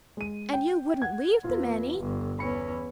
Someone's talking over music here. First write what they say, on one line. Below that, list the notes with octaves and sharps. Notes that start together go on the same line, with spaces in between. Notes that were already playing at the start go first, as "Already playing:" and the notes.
And you wouldn't leave them any?
G#3 D#7
G5
F#5 G#6
E2 F4
G1
E2 C#4 B5 C#7